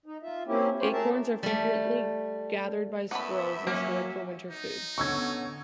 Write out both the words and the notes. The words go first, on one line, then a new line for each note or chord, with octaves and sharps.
Acorns are frequently gathered by squirrels and stored for winter food.
D#4
F4 E5
A#3 C4 C#4 E4 G4
C#4 F4 G4 C5 C#5
A3 G#4 A#4 E5 A5
G3 A3
F#2 B3 E5 B5
F#3 A#3 C#4
D#4
D3 B3 C#4 C#6 E6 G#6